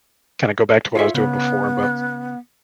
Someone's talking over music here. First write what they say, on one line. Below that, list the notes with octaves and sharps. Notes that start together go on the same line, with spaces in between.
kinda go back to what I was doing before, but
F4 A4 C#5 E5
C#3 B3